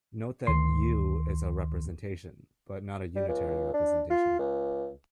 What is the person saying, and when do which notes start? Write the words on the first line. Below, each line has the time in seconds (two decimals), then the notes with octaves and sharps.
Note that "u" is a representation, but not a unitary representation.
0.47 D2 D#3 C6 C7
3.16 G3
3.28 C#2
3.74 D4
4.10 F4
4.39 C#2